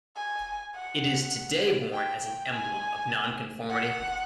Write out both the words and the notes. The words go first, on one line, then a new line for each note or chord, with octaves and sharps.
It is today worn as an emblem of non-conformity.
G#5
F#5
G5
G5
G#5
F#5